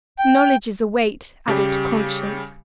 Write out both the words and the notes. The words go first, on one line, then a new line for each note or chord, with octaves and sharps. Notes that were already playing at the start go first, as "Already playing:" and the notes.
"Knowledge is a weight added to conscience."
G5
C#3 G3 G4